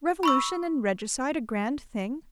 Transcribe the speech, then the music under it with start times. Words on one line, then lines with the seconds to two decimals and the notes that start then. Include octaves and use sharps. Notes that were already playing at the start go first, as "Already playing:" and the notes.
Revolution and regicide a grand thing?...
0.23 B5 C#6 E6